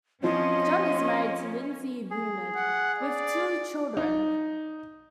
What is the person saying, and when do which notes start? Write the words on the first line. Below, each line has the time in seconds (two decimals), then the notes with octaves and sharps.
John is married to Lindsay Benaud with two children.
0.23 F3 C4 C#4 D#5 C6
2.11 G#4
2.56 F#5
2.98 D5
3.97 D#4